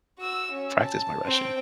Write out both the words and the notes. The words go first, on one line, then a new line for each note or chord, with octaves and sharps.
practice my Russian.
F#4 E6
C#4
A5
C4 G5